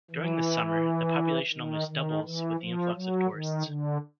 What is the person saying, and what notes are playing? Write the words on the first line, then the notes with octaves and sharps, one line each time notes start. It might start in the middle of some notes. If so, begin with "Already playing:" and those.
During the summer the population almost doubles with the influx of tourists.
E3
D#3
D#3
E3
F3
F#3
D#3
D3